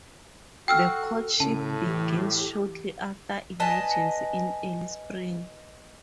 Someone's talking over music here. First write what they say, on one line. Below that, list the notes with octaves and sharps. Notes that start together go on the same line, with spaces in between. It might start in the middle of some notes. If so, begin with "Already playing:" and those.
The courtship begins shortly after emergence in early spring.
F#4 A4 G5 E6 F6
A2 C#3 A5
E3 G4
B4 D#5 G#5 A5